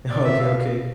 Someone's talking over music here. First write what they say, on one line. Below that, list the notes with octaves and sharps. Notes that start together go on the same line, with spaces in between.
Okay, okay.
D5
E5
F5